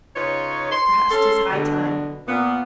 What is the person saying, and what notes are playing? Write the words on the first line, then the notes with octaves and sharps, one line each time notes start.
Perhaps 'tis high time.
C#3 D#4 F4 B4 C#5
C6
C#4 A4 C6
B2 D3
A#2 B3